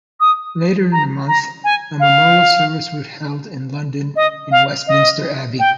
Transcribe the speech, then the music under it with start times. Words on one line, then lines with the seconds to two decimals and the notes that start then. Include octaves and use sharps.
Later in the month, a memorial service was held in London in Westminster Abbey.
0.20 D#6
0.92 A#5
1.28 A#5
1.64 G#5
2.00 F5
4.16 D#5
4.51 F5
4.87 D#5
5.59 G5